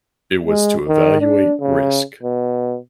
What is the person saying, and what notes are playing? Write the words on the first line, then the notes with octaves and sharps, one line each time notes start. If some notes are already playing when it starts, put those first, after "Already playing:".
It was to evaluate risk.
G#3
D#3
D4
C#3
B2